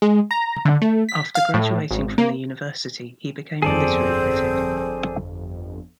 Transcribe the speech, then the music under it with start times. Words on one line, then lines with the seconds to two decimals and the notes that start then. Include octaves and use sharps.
After graduating from the university, he became a literary critic.
0.02 G#3
0.31 A#5
0.65 D3
0.82 A3
1.09 B6
1.35 F5
1.54 A2
1.91 G#1
2.18 A#3
3.62 G1 F2 C4 G#4 A4 C5 D5